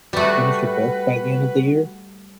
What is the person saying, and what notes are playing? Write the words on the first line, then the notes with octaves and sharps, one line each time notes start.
finish a book by the end of the year
G3 A3 F#4 B4